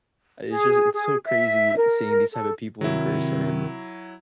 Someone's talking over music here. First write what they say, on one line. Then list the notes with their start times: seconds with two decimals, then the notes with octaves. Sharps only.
it's just it's so crazy seeing these type of people in person, and I
0.50 G#4
0.94 G#4
1.26 E5
1.76 A#4
2.33 A4
2.81 C3 D#3 F#3 E4